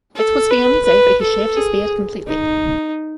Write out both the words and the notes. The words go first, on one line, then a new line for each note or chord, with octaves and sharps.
It was the only day that he shaved his beard completely.
A4
B4
B4
A4
G#4
D#4